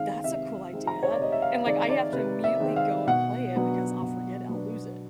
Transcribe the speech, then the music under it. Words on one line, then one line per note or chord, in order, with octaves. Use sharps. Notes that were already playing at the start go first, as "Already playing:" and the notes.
"That's a cool idea," and, like I have to immediately go and play it because I'll forget it I'll lose it,
Already playing: D#3 G#3 C4 D#4 F5
C3 E5
D#3 G#3 C4 D#4
A#5
C#5
D5
C3 D#5
E5
F5
D#3 G#3 C4 D#4 D5
D5
C3 B4
E5
D#3 G#3 C4 D#4
F5
B2 F#5
F#3 B3 D4
B2
F#3 B3 D4